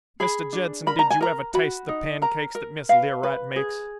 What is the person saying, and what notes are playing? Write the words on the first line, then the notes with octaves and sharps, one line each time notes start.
Mr. Judson, did you ever taste the pancakes that Miss Learight makes?'
G#4 B5
D4
A#4 B5
A#5
G#5
A#4 A#5
F#4 B5
D#4
A#4 A#5
A#4
B4 F5
B4
G#4